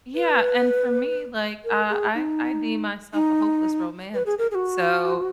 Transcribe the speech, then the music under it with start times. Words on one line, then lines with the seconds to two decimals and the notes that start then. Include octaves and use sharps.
Yeah, and for me, like, uh, I I deem myself a hopeless romantic, so,
0.15 B4
1.64 A#4
1.89 G#4
2.15 D#4
3.14 D#4
4.14 B4
4.26 G#4
4.39 A#4
4.51 G#4
4.55 F#4